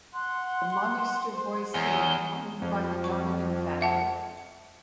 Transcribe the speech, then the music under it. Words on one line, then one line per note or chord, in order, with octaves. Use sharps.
The "Monasterboice Inn", owned by the Donegan family.
F#5 C6
C5
E2 G#4 C#5 G7
F2
C#6
E5 F#5 A5